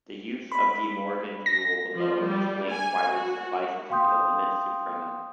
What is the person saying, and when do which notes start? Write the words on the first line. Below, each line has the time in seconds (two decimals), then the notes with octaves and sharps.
The use of DeMorgan's rule below explains why this suffices for the limit supremum.
0.52 B5
1.46 A#6
1.95 F3
2.24 G3
2.71 G#5
3.11 F#4
3.90 F5 G5 C6 D#6 G6